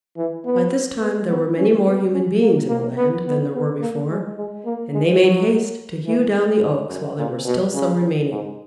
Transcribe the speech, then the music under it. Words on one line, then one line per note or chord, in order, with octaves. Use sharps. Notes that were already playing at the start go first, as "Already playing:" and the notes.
By this time there were many more human beings in the land than there were before, and they made haste to hew down the Oaks while there were still some remaining.
E3
B3
B3
B3
C#4
B3
C#4
A#3
A#3
B3
B3
B3
A#3
G#3
G#3
A#3
G#3
F#3
E3
G#2
F#2
A#2
B2
C#3
G#2